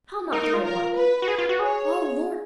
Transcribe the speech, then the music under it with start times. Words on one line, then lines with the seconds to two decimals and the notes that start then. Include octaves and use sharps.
How not the right one?... O Lord!
0.32 D#4 A#4
0.43 D#4
0.54 F4
0.64 A#4
0.96 B4
1.22 F#4
1.28 G#4
1.39 F4
1.49 F#4
1.59 G#4 C#5